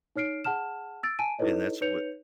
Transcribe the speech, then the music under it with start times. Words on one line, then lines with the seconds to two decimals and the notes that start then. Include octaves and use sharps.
And that's what
0.16 D#4 C#5 F6 C7 D7
0.44 G#4 F#5 A5 F6 E7
1.03 E6 A6 D7
1.19 G#5 A5 D7 D#7
1.39 D#4 E4 A4 B4 C#5 D#5
1.81 D#4 B4 C#5 G6 C#7 F7